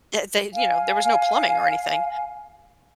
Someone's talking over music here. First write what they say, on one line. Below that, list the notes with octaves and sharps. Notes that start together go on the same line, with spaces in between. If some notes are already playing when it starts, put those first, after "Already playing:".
eh they, you know, there was no plumbing or anything,
F5 G#5